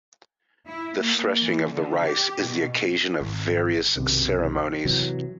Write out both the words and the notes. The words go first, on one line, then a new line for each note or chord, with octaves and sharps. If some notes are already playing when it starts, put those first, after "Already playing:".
The threshing of the rice is the occasion of various ceremonies.
E4
A#3
E3
D3
G4
B2
G#1
B1 F#2 C3 D#3
C3 E3 F#3